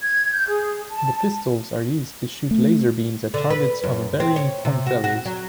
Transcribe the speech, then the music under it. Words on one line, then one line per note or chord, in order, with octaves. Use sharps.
The pistols are used to shoot laser beams at targets of varying point values.
G#6
G6
G#4
A5
A3
D3
B4
F#2
C4
C#5
C3
F#4
F#4
F#3